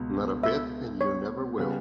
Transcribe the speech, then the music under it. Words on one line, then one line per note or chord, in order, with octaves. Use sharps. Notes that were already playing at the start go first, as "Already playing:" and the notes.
Not a bit, and you never will.
Already playing: C#2 B2
E5
C#5
C#3 G3 B3